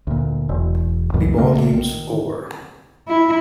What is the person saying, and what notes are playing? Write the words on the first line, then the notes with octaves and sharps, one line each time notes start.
The Ball Game's over!
D2 A#2
E1
C#2 F#2 B2 E3
A#1 C#3 A3 A#3
D#3
E4